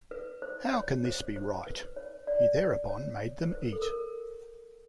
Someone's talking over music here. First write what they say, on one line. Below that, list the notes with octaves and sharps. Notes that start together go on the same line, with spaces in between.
How can this be right? He thereupon made them eat.
B4
C5
C#5
C5
C5
B4
C#5
D5
C#5
C5
B4
A#4
A4
A#4